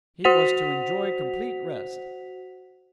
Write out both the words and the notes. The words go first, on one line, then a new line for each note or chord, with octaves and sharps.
He was to enjoy complete rest.
F#4 C5 F#5 B6 F7